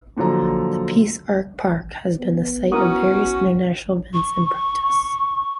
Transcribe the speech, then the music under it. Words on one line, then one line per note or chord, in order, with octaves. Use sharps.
The Peace Arch Park has been the site of various international events and protests.
A#2 D3 F3 F#3 A4 A#5
B3
C#4 E4 F#4 A#4 D#6
C#6